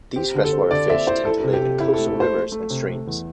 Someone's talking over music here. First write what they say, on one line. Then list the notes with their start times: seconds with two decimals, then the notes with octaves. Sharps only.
These freshwater fish tend to live in coastal rivers and streams.
0.16 C4 G4
0.34 D3
0.44 A4
0.52 C4
0.71 D3 D5
0.90 C4 E5
1.07 E4 C5
1.25 E4 A4
1.44 C3
1.53 G4
1.62 C3
1.79 C3 E4
1.93 A4
1.98 A3
2.07 A4
2.15 A3 C5
2.35 A3
2.52 A3
2.70 C3
2.89 A3
3.07 E2